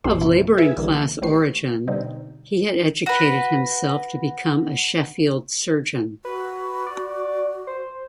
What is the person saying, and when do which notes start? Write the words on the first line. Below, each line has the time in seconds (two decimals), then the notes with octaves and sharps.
Of labouring class origin, he had educated himself to become a Sheffield surgeon.
0.04 A#1 F#2 G3 A#3 C5 C6
0.21 F#2 C3 D#3 E4
0.58 G#4 B4 E5 G#5
0.77 B1 D3 E3 G3 A#3
1.22 A1 A2 G4 B4 C#6 C7
1.88 B2 D3 G3 C4 D#4
3.06 F#4 B4
6.25 F#4 B4
6.86 D5
7.67 C5